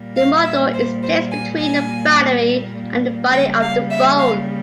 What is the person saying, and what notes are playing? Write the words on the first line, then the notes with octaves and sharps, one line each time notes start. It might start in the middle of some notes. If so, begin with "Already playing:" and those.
The module is placed between the battery and the body of the phone.
Already playing: A#2 G3 A#3
F5
E5
C5
C5
G#5
G#5
C#3 G3 A#3 G5
F5
E5
F5